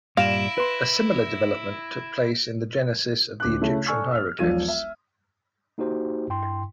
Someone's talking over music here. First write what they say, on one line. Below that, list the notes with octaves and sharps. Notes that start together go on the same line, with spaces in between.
A similar development took place in the genesis of the Egyptian hieroglyphs.
G2 A#2 G3 E4 F5 A#6 D7 E7
B4 C6
D2 D6 F#6
C#3 A3 C#4 E4
A4 D5 G#5 C#6 E6 F6
E6 F6
E1 B1 F3 F4 G#6 D#7
E5
A#3 D#4 F#4 G4 C5
G2 E4 G5 C6